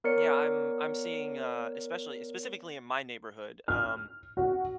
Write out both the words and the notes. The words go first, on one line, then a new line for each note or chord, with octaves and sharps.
Yeah, I'm I'm seeing, uh, especially eh, specifically in my neighborhood, um,
B3 A#4 C#5 D5 C#7
F6
F#4